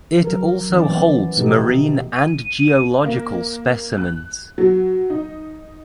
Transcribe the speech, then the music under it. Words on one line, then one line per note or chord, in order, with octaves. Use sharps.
It also holds marine and geological specimens.
F#3 A#4
E3 C#4 D5
F3 A3 B3
B2 A3 D#4 G4 A4
D#7
A#3
F#6
F#3
D#4